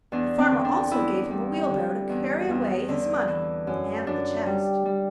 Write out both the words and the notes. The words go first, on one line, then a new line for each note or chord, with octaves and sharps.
The farmer also gave him a wheelbarrow to carry away his money and the chest.
E2 D4
C4
D3
D4
E2 E4
G3
D3
E2
E2
D3
E3
F#2
F#2 D4
G3
G3